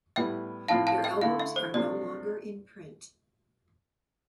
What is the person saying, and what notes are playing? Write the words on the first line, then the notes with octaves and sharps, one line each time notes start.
Their albums are no longer in print.
A2 G3 B3 E4 E5 G5
A2 F3 C4 E4 F5 A5
F5 A5
E5 G5
D3 A3 E4 F5
E5
C5
C3 F3 A3 D4 D5